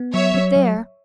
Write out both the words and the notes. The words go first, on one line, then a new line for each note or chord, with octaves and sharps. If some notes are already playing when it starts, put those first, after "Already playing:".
But there!
Already playing: B3
F#3 C#5 E5
F#3
F#3